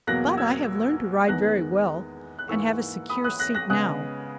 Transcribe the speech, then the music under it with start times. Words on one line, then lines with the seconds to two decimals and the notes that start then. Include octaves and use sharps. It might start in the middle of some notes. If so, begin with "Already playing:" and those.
But I have learned to ride very well, and have a secure seat now.
0.07 E2 B2 F#3 A#3 F#6 A#6
0.37 E6 G#6
1.28 E2 D#3 G#3 B3 F#6 A#6
2.39 F#6
2.49 G#2 E3 A#3 C#6 E6
3.09 B5 D#6
3.24 D#6 F#6
3.40 F#6 A#6
3.54 F#6 A#6
3.70 C#3 G#3 B3 D#6 F#6